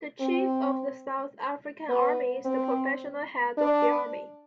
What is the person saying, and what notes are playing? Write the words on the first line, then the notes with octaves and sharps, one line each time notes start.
The Chief of the South African Army is the professional head of the Army.
C4
B3
C4
D4